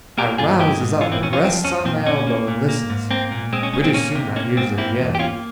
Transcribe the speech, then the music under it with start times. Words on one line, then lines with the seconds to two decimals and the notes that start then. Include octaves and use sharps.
I rouses up, and rests on my elbow and listens; pretty soon I hears it again.
0.18 A#3 G4 A#4
0.38 G2 F4 G#4
0.59 G#3 E4 G4
0.80 G#2
1.01 E3 C#4 F4
1.12 C4 E4
1.22 F2 C#4
1.33 C#4 F4
1.43 F3 C4
1.64 F2 C#4
1.85 A#2 C4
2.06 A#2 C#4
2.27 A#3
2.48 A#2
2.69 A#3
2.90 G#2
3.11 A#3 C4
3.32 A#2
3.53 G#3 C4
3.63 C#4
3.74 A#2 C#4
3.84 C4
3.94 A#3 C#4
4.15 C3
4.36 A#3 C#4
4.57 G#2 C4
4.78 A#3 C4 E4
4.99 E2
5.15 G4
5.19 A#3 C#4 F4